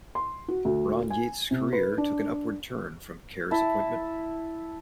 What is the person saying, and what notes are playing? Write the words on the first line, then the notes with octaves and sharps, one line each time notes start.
Ron Yeats' career took an upward turn from Kerr's appointment.
C6
F#4
D2
G#5
C3
B4
D4
E4 E5 A5